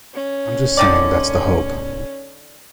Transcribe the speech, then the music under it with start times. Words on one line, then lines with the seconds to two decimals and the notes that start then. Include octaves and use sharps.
I'm just saying that's the hope.
0.14 C#4
0.77 D3 D#3 D5